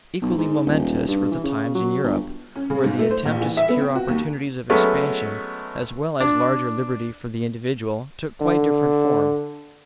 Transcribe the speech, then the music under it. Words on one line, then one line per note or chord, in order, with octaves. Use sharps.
Equally momentous were the times in Europe, where the attempt to secure opportunities of expansion as well as larger liberty for the individual took quite different form.
B1
G#2
D#1
G2
E3
C#3
F#3
G1
C#4
C#3
G#2
A3
C5
A#1
E3
E5
B3
C4
F#4
D#2
F#3 G#3 A3 B3 C#4
D4
D3